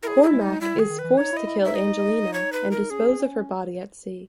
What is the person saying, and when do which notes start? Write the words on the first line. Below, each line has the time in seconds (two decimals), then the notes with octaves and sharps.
Cormac is forced to kill Angelina and dispose of her body at sea.
0.03 E4 G#4 A#4
0.18 D#4
0.23 G#4
0.27 G#3 E4
0.41 G#3 D#4
0.61 G3 E4
0.75 D#3 G#4
0.89 D#3
0.99 B4
1.04 E3
1.18 D#4 C#5
1.33 E4 D#5
1.47 E4
1.61 D#4 E5
1.75 D#5
2.34 C#5
2.53 B4
2.71 A#4
2.90 C#4 G#4
3.19 C#4